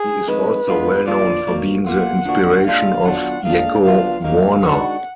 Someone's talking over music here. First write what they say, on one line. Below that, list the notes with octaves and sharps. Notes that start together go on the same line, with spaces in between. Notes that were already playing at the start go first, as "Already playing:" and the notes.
He is also well known for being the inspiration of Yakko Warner.
Already playing: G#4
F2 D#3 G#3 B4
D3 G#3 B3 F4
F3 A#3 D4 F4 D5
G#2 F#3 A#3
B2 A#3 F4 F#5
D3 F3 A#3 D4 F#4
A#2 G#3 D4 F4 F5
B2 F#3 D4 F4 F#5
A#2 G#3 D4 F5
F3 B3 D4 F4 F5
F#2 D#3 F#3 A#3 D#4 F5
D#3 G#3 D4 F#4 F#5